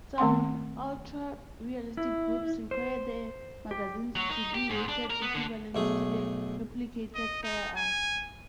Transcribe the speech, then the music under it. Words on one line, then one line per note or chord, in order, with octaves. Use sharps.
Some ultra-realistic groups require the magazines to be weighted equivalent to the replicated firearm.
D#3 A3 C4 F#5 C6
E4
C5
G4
F#3
D#4
G4
G#2
D4
A#4
B3
D3
B1 A3 G#4
D#5
D#4
G#5